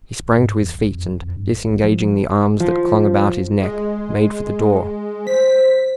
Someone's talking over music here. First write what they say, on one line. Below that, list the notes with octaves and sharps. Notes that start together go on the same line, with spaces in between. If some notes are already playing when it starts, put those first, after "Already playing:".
He sprang to his feet, and disengaging the arms that clung about his neck, made for the door.
G1
G#2
E2
B1
F2
G1
F2
G2
G1
A#1
F3
F3
G#3
C5 B6